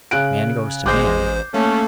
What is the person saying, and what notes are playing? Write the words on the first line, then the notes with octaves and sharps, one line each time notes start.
Man goes to Man!
C#3 F#6 D7
A1 G#3 C5 D6 G6 C7
A3 A#3 C#4